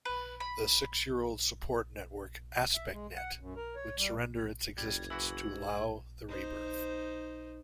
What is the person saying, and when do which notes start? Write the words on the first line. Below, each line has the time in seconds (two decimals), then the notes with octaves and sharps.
The six-year-old support network AspectNet would surrender its existence to allow the rebirth.
0.05 B4
0.40 B5
2.74 E5
2.93 G#3
3.15 F#5
3.40 F#2
3.56 A#4
3.75 C#5
3.97 G3
4.78 F#1 G3 G#6
5.10 E3 E4 F#4 E6
5.51 G#2
6.29 D#4 C5